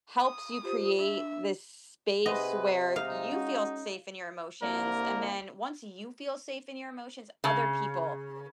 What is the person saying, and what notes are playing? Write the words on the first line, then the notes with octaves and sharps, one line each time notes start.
helps you create this space where you feel safe in your emotions, and then once you feel safe in your emotions, other people
D#6
F4 G4 C5
D4 E5
C3 G#4 B4 D#5 F#5 C6
G#3 D#4 F5
C#4 F#4
C2 D3 A#3 A#4
C#3